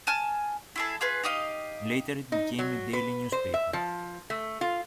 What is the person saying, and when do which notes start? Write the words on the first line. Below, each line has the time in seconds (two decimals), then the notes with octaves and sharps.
Later it became a daily newspaper.
0.07 G#5 A5 F6
0.76 E4 G#4 A4
1.01 F4 G#4 B4
1.23 D#4 G4 D#5 F5
2.32 D#4
2.59 F#3
2.93 B4
3.32 C5
3.54 E5
3.73 F3
4.30 A3
4.61 F4